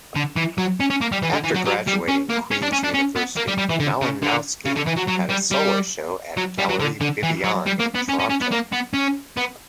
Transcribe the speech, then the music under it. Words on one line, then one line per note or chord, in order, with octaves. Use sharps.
After graduating Queen's University, Malinowski had a solo show at Gallery Bibbiane in Toronto.
D3
E3
F#3
C#4
C#4
A#3
G3
E3
D3
E3
F#3
F#3
G3
C#4
A#3
C#4
D4
C#4
D4
C#4
B3
A#3
G3
G3
E3
D3
C#3
D3
C#3
D3
E3
F#3
F#3
G3
G3
F#3
G3
F#3
D3
D3
E3
F#3
G3
A#3
B3
C#4
C#4
C#4
B3
A#3
B3
C#4
B3